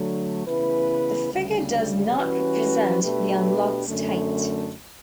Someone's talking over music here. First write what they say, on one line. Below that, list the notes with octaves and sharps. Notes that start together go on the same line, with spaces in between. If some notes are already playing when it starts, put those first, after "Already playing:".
The figure does not represent the "unlocked" state.
Already playing: D3 F#3 A3
C#3 E3 B3 E4 B4
D2 C#3 G3
E3 G3 C#4 F#4 B4
B2 A3 D4 G4 B4
F#2 D3 A3